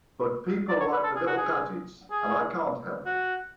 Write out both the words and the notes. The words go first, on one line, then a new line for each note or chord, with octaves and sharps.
But people like the little gadgets and I can't help it...
D5
C#5
B4
A4
G#4
F#4
G#4
G#4
F#4